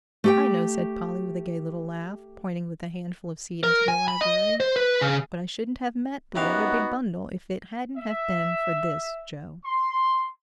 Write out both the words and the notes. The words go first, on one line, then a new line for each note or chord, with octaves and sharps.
"I know," said Polly with a gay little laugh, pointing with the handful of seed into the library, "but I shouldn't have met the other big bundle if it hadn't have been for this, Joe!"
A3 G4 G5
A#4
G#5
B5
D#5
C5
B4
C#3
F#2 B3 D#4 F#4 G4 F5
E5
C6